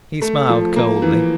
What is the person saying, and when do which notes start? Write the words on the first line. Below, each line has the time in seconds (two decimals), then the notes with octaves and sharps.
He smiled coldly.
0.22 A3
0.49 F3
0.76 A#3
1.02 E3